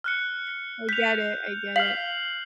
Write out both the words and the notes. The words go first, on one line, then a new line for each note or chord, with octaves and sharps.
I get it, I get it,
F6 F#6 C#7
G6 B6 F7
F5 F6 C7 F#7